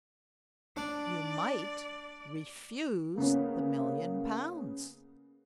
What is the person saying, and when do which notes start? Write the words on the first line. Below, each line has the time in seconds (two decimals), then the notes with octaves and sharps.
You might refuse the million pounds.
0.77 D4 D5
3.18 C#3 A#3 B3 C#4